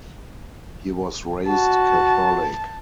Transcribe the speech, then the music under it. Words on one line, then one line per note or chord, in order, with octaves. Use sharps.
He was raised Catholic.
F#4 A5